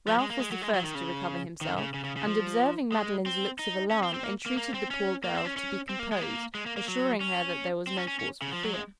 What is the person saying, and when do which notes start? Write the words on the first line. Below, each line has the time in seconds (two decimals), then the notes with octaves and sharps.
Ralph was the first to recover himself, and observing Madeline's looks of alarm, entreated the poor girl to be composed, assuring her that there was no cause for fear.
0.08 F3
0.19 G#3
0.30 A#3
0.40 G#3
0.51 F#3
0.62 G#3
0.74 F#3
0.84 D#3
0.95 C#3
1.61 D#3
1.77 C#3
1.94 C#3
2.04 C#3
2.16 C#3
2.27 F3
2.92 G#3
3.26 C4
3.59 D#4
3.91 C#4
4.03 C4
4.14 C4
4.24 A#3
4.46 A#3
4.57 A#3
4.74 C4
4.91 C#4
5.24 A#3
5.35 C4
5.45 C#4
5.57 C#4
5.89 C4
5.99 A#3
6.11 G#3
6.21 A#3
6.55 G#3
6.66 A#3
6.77 A#3
6.88 F#3
7.21 C#4
7.87 C4
7.97 C#4
8.08 C#4
8.19 C#4
8.42 C#3
8.52 F3
8.63 F#3
8.74 G#3